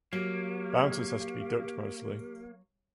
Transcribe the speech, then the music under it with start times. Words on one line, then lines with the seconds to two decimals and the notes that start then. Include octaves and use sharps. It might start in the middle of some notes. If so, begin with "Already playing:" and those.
Bouncers has to be ducked mostly.
0.13 F#3 A#3 G4